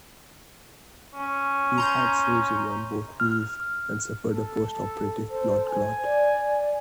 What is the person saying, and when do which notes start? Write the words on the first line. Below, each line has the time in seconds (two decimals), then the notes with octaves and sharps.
He had surgery on both knees, and suffered a post-operative blood clot.
1.14 C#4
1.78 A#5 C6 G6
3.20 F6
4.32 A4
5.30 A4 C5
5.65 G#5
6.04 D5